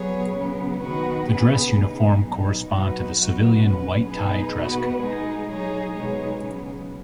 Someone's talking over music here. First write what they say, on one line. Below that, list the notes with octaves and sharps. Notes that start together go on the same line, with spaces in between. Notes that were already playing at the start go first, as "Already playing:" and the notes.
The dress uniform correspond to the civilian white tie dress code.
Already playing: F#3 B3 G#4 C#5
C#3 F#3 B3
D#3 B3 F#4 B4
C#3 B3 G#4 B4
B3 D#4 G#4
B2 F#3 D#4
F#3 D#4 F#4 B4
F#3 B3 D#4 F#4 B4
F#3 C#4 B4
B3 D#4 G#4 B4
B2 B3 F#4 B4
G#3 D#4 G#4
F#3 D#4 G#4 C#5
B2 G#3 D#4 G#4 C#5
C#3 F#3 B3